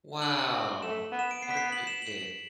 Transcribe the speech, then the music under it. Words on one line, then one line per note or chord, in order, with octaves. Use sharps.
Wow, what a great kid.
D4 F#7
C4
A3 E7
B3
E7
D7
B3 C7
B6
C7
F#7
E7
F#7